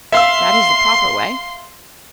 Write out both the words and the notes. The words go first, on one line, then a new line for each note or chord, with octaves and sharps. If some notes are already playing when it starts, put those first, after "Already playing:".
"That is the proper way."
E5 F5 C6 E6